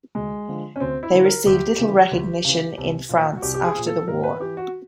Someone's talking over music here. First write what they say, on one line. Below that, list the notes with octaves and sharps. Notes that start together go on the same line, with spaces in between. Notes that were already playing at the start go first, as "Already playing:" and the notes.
They received little recognition in France after the war.
D2 G#3
D3 F3
C#4
D2 C4
E4
D3 F3
A#4
D2 G4
C#3 E3
D2
C#3 E3
C2
A#2 F3
F#4
C2 G4
G4
G#4
A#2 F3
A4
G#2 A#4
B4
E3 G4
F#4